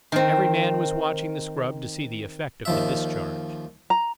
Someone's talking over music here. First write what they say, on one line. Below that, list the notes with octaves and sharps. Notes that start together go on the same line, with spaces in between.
Every man was watching the scrub to see the effect of the discharge.
D#3 C4
D#2 F3 E5
A#5